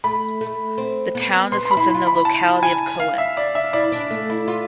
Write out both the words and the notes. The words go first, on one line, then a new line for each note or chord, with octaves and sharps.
The town is within the locality of Coen.
A3 B5
A3
C4
B3
B3 C6
C6
B5
E4
B5
F4
E4
B5
A5
G#5
F5
E5
D5
E5
E4 D5
D4
A3
E4
F4